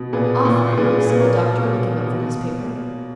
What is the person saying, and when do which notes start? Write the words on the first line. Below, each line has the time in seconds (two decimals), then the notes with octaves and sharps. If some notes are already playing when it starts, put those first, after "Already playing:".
"Off, are you?" said the doctor, looking up from his paper.
Already playing: B2
0.13 A#2 G#4 B4
0.45 A#2
0.77 A#2 G#4 B4
0.99 G#4 B4
1.09 A#2 B4
1.20 A#4 C#5
1.42 B2
1.74 B2
2.06 B2